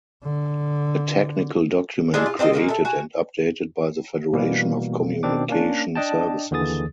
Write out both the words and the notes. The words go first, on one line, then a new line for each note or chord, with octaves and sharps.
A technical document created and updated by the Federation of Communication Services.
D3
G#3 D4 E4 G#4
F4
C4 D4 F4 D#5
G#3 A#3 F#4
A4 E5
F#4 G#5
B2 E3 G3 A#3
B2 D#3 C4 D4 D6
A#3 C#4 D4
D4 D#5 G5 A5
D#2 D3 E3 G#4 D#6 A6